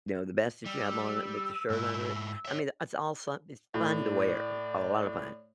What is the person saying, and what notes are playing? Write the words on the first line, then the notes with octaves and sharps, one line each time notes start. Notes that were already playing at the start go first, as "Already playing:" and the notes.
you know, the vest that you have on with the shirt under it. I mean, that's all someth It's fun to wear, a lot of fun.
G3 E6
G#2 E4
C#5 E5
A2 D5